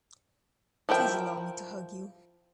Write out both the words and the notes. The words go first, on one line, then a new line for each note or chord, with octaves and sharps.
Please allow me to hug you.
F3 E4 A#4 G5